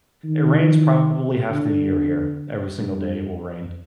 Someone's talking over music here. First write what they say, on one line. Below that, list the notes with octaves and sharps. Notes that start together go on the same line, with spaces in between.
it rains probably half the year here. Every single day it will rain.
D#3
D3
G2